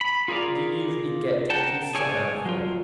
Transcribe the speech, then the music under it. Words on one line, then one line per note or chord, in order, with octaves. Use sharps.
And you usually get what you set out for.
B5
F4 G#4 A#4 D5 F5
A#4 F#5 G5 A5
G#4 A4 C#5 D5 G#5
F#3 F4